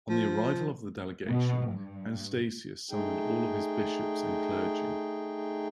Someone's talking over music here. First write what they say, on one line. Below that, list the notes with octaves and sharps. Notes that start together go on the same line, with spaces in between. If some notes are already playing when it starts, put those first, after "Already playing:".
On the arrival of the delegation, Anastasius summoned all of his bishops and clergy.
F3
B2
G2
A3 D#4 G#4 G5